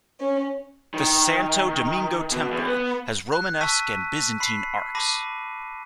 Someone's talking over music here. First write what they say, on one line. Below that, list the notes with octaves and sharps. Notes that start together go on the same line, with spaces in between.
The Santo Domingo Temple has Romanesque and Byzantine arcs.
C#4
D#3
B2
E2
B3
F#6
A5 C#6 E6 B6 D#7
B5 B6 C7
A5 B5 D6 A#6 D#7